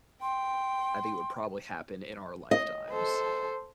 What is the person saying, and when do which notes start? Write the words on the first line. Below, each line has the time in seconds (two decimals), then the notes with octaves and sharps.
I think it would probably happen in our lifetimes.
0.22 G5 C6
2.51 D#5
2.89 A4 C5